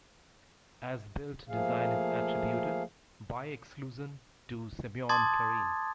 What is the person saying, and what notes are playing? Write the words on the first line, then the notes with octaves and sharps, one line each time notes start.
As-built design is attributed, by exclusion, to Semyon Karin.
F3 A3 A#3 G#4 F5
A5 C6 D6 D#6 G#6 A6